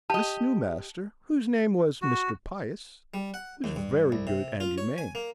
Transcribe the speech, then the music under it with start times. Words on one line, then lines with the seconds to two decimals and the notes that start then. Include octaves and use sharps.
This new master, whose name was Mr. Pious, was very good and humane.
0.10 G4 D#5 A5
2.02 F#4
3.14 G3
3.34 F#5
3.64 D#2
3.76 G2
4.12 C2
4.27 C3
4.60 F4
4.78 C#5
4.98 G#5
5.15 A#3